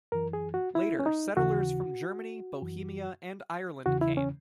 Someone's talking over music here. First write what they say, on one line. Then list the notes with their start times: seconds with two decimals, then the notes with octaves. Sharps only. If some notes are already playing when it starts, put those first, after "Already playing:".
Later, settlers from Germany, Bohemia, and Ireland came.
0.12 F#2 E3 A#4
0.33 G#4
0.54 F#4
0.75 E4
0.99 C#4
1.06 D#4
1.37 D#2 C#3 E3 F#4
2.62 F#2 E3
3.86 E2 C#3 E3 F#4
4.01 E4
4.17 C#4